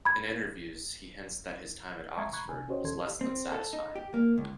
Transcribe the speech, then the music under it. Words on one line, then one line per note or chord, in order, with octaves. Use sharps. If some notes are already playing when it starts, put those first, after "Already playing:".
In interviews, he hints that his time at Oxford was less than satisfying.
B5 G#6
G#3 E5 A#5 C#6 G#6
A#5 B5 C#6 F#6 G#6
C3 G#5
C#4 F#4 G4 C5 C#5 D#5
D2 D#3 C#4 A4 C6 G#6
G4 D#6
C4
A4
D#4
G4
A#3
C#2